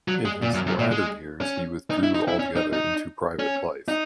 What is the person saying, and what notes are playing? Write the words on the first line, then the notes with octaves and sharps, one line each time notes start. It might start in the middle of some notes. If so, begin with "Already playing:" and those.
In his latter years he withdrew altogether into private life.
F#3
G#3
A#2
F#2
F#2
A#2
G#3
C#4
D#4
E4
D#4
E4
C#4
D#4
D#4
C#4
D#4